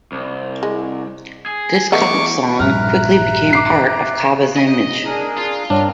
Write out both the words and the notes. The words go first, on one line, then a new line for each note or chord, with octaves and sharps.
This cult song quickly became part of Kabba's image.
C2
G#3
G#4
E2 A3 B3 D#5 C#6 D6
A#1 G2 E5 A#5 F6 F#6
D6 C7
D#5
G#2
D4 G#4 A#4
F4
G2 C4 D4 A#4 C#5